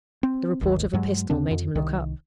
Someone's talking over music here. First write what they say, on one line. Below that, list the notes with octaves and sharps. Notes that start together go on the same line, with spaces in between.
The report of a pistol made him look up.
C4
G#1 D#2
G2 F#3 G#3
D#2 C#3 C4 D4
F2
C2 D#3